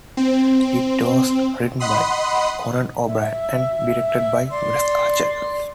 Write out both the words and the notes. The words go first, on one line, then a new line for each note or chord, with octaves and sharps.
It was written by Conan O'Brien and directed by Wes Archer.
C4
D#5 F#5 B5 C6 D#6
E5
D5 C6